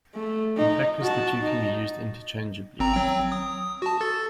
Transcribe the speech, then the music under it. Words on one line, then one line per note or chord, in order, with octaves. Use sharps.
In practice the two can be used interchangeably.
A3
D#4
F#4 A5
D#4
G#1 C4 A#5
F#3 C4 G5
D#6
F#4 A5
A4 A6